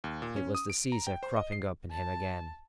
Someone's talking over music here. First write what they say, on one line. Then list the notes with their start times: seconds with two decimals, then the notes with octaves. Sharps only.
It was the Caesar cropping up in him again.
0.04 D#2
0.22 A#2
0.36 C#4
0.55 D#6
0.70 D7
0.92 A#5
1.07 G5
1.23 C5
1.36 D#5
1.52 C7
1.91 A5